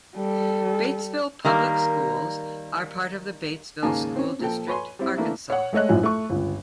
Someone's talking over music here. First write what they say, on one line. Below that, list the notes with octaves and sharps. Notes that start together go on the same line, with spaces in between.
Batesville Public Schools are part of the Batesville School District, Arkansas.
G3 A4
D#3 G3 A#3
D#2 G#2 C#3 A#3 G#5 A5
C4 C#4
A#2 F3 A4 G5
B4 C#5 G#5 C6
G3 C4 E4
E3 A3 A#3 D4 E4
C#5 F#5
G#3 A3 C#5 D#5 F#6
A#1 F#2 A2 F3 G#5
A3 C#6
G1 C#2